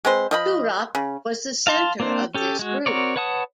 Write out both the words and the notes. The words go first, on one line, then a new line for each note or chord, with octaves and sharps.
Toorop was the center of this group.
G#3 C4 B4 C5
F3 D#5 B5
C#3
F5 A5 C6
A#3 C4 D4 C5
C#4 G4 A4
G#3 F#4
C4 F#4 A#4 C#5 D5
B4 C#5 F#5 A5 D#6